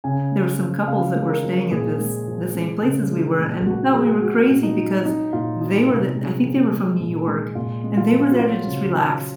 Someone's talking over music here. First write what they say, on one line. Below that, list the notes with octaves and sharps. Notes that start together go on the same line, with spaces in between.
there were some couples that were staying at this the same place as we were, and they thought we were crazy because they were the I think they were from New York, and they were there to just relax.
C#3 G#5
G#3
F3
C#3 F5
G#3
A#4
F3
A#2 G#4
G#3
F3
G#3
C#3
G#3
A#2
G#3 F#4
F3 G#4
G#3 F#4
A#2
D#4
G#3
F#3 D#4
A#2 F4
F#3 D#4
C3
G#3
F3
G#3
A#2
G#3
A#2 F4
G#3
F4
F3
F#4
F#3 F4
C#3
F#3